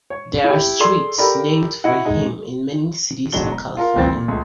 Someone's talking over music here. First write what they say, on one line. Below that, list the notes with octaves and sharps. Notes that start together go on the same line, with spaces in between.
There are streets named for him in many cities in California.
C#5
E4 G4
G#4 A4 D5 C6
G4 A4 A#4 D5 A#5 B5
E4 F#4 D#5 F#5
G#3 D#4
E1 A1 G#2 F#3 D4 G7
A#5
F4 A#4
G1 D2 E3 C4 A6
A#2
C#2 A3 G#4